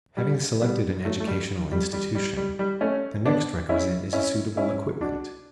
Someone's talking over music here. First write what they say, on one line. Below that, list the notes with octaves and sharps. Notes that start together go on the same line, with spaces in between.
Having selected an educational institution, the next requisite is a suitable equipment.
G3
G3 B3
F#3 A3
A3
G3
G3
G3
G3
G3
G3
A3 C#4
B3 D4
C#4 E4
C#4 E4
C#4 E4
D4 F#4